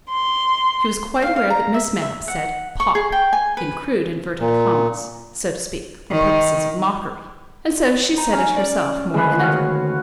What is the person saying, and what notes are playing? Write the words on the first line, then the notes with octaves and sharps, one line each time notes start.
She was quite aware that Miss Mapp said "pop" in crude inverted commas, so to speak, for purposes of mockery, and so she said it herself more than ever.
C6
F5
F5
A#5
E5
E5
F#5
C#6
G#4
G5
G#5
B4
A#2
D#3
D#4 A#5
C#4
D5
D2 D#3 G#3 B4 B5
F#4 C#5 F5